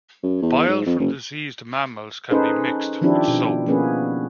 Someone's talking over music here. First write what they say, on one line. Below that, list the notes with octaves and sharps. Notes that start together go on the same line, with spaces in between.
Bile from deceased mammals can be mixed with soap.
F#2
E2
G#2
F2
F#1
C#4 D#4 G#4 A4 B4 C5
D#3 F3 C4 D4 E4 G4
B2
F3 A#3 B3 C#4 G#4 B4